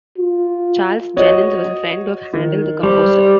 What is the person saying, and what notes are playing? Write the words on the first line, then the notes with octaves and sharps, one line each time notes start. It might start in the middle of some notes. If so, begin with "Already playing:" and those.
Charles Jennens was a friend of Handel, the composer.
F4
F#4 C#5 D#5
D#3
G3 C5